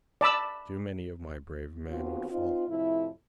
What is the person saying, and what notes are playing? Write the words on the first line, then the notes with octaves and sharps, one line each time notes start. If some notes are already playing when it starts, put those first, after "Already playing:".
Too many of my brave men would fall.
D5 A5 B5 E6
D#2 B3 C4 F4 F#4
C4 D#4 F4
F2 A2 C3 E4